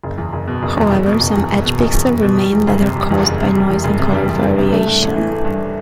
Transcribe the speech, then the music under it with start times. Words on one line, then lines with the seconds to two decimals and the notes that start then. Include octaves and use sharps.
However, some edge pixels remain that are caused by noise and color variation.
0.04 F#1
0.18 E2
0.33 F#1
0.48 B2
0.63 F#1
0.77 E2
0.91 F#1
1.06 B2
1.21 F#1
1.36 E2
1.51 F#1
1.65 B2
1.79 F#1
1.94 E2
2.08 F#1
2.23 B2
2.37 G3
2.53 E2
2.68 F#1
2.82 C3
2.96 G3
3.10 E2
3.26 F#1
3.41 C3
3.55 G3
3.70 E2
3.84 F#1
3.99 C3
4.13 G3
4.28 E2
4.43 F#1
4.58 C3
4.72 A3
4.86 G2
5.02 A1
5.16 E3
5.31 A3
5.45 G2